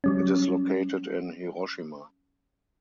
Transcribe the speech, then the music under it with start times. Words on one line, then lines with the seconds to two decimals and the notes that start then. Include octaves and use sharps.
It is located in Hiroshima.
0.04 F#3 G3 C#4